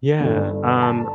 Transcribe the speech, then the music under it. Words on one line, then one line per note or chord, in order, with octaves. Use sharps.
Yeah, um
G1 G2 D3
A5